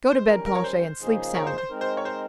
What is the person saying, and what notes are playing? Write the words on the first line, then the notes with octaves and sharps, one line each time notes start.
"Go to bed, Planchet, and sleep soundly."
C5
D#3 G3 C#4 A#4
A#4
C#5
C5
C#3 F3 A#3 D#4 G#4
A#4 C#5
C5
C5
G#3 C4 D#4 A#4
C5
C#5
C5